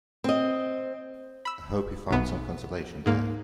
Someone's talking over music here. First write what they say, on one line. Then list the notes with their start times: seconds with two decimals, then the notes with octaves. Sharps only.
I hope he found some consolation there.
0.24 C4 D#5
1.45 B5 E6
2.11 B1 B3
3.06 G#2 A#3